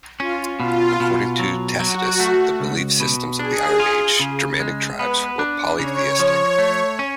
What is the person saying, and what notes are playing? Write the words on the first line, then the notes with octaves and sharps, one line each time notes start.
According to Tacitus, the belief systems of the Iron Age Germanic tribes were polytheistic.
C#4 F4
B2 F4
B2
F#3
F#3 F#4
A3
C#2
B2
D4 G#4
F4
C#3
G#3
B3 B4
D4
C#3 C#5
F3
A3
C#4